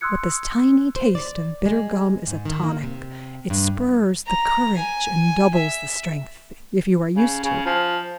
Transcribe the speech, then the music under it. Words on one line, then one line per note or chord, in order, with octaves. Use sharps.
But this tiny taste of bitter gum is a tonic; it spurs the courage and doubles the strength--if you are used to it.
C6 D#6 E6 F#6 G#6 C#7
C5
D5
G#3
G#2
D#3
A#3
C3
G2
A#5
G#5
E5
C#3
C#3
F3